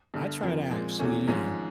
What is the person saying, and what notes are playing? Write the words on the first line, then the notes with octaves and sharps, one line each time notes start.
I try to actually, you know,
G1 G2 D3
F2 C#3 F3 A#3
A#2 F3 G#3 C4
E2 C3 E3 A3 C#4
G#1 G#2 F3 G#3 C#4